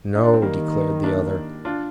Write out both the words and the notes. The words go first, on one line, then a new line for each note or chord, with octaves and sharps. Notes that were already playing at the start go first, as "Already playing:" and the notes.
"No," declared the other.
D#4
D4
C4
D#3 G3 A#3
A#3 D4
D4 F4